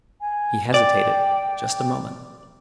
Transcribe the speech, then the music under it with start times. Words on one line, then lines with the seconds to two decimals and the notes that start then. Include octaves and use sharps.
He hesitated just a moment.
0.20 G#5
0.74 D5 G5